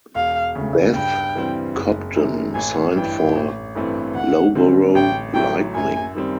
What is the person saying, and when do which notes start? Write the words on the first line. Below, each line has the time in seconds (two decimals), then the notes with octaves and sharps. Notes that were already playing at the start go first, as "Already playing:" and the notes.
Beth Cobden signed for Loughborough Lightning.
0.15 E1 F5
0.55 D2 C#3
0.95 G2 G5
1.35 E3 G3 C4
1.75 F#1
2.16 F#2 D#3
2.55 A1 G#5
2.95 G2 E3 G5
3.35 A1
3.75 G2 E3 A3 C4
4.15 D2 F#5
4.55 D3 G3 C4
4.95 A1 G5
5.34 A2 F#3 A3 G5
5.75 F#2 G#5
6.15 D#3 G3 C4